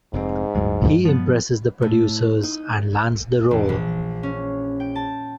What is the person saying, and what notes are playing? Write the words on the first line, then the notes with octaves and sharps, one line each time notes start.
He impresses the producers and lands the role.
F1 F2 G#2 C4
D1 D2 G2 F#3 G#3
F3 B3
A2
D#4
E1
A#1
C#4
G5
A5